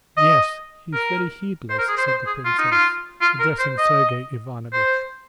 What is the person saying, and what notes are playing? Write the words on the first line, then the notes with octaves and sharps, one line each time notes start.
"Yes, he's very heedless," said the princess, addressing Sergey Ivanovitch.
D#5
A#4
C5
A#4
G#4
C5
C5
G#4
F4
D#4
F4
F4
A#4
C5
D#5
C5